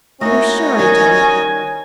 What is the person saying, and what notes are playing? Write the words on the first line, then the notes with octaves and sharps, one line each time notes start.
'I'm sure I don't!
A3 A#3 C#4 D#4 E4 F#4 D#5
D#3 G3 G#5